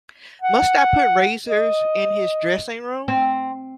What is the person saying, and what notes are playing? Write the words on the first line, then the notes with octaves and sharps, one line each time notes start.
Must I put razors in his dressing-room?
F#5
D#5
C4